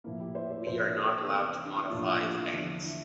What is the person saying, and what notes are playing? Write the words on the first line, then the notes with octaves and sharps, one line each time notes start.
We are not allowed to modify the banks.
A2 F3 A#3 E4
E4 G4
C5 E5
C5 E5
A2 F3 A#3 C5 E5
A#4 D5
A4 C5
E2 C3 E3 G4 A#4
E4 G4
A2 F3 A#3 D4 F4
D4 F4
E4 G4
E4
E2 D3 F3 D4
E4